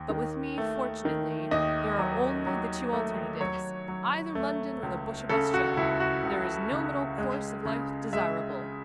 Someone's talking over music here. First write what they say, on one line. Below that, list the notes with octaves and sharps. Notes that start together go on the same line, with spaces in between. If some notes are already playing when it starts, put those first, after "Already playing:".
But with me, fortunately, there are only the two alternatives, either London or the bush of Australia--there is no middle course of life desirable.
Already playing: D#2
D#3
A3
D#3
D#2 D#5
F#3
F#3
A3
F#3 C#5
F#3
A3
C#2
C#3 A4
F#4
C#2 E4
F#4
C#2
C#3
G#3
C#3
G#3 E5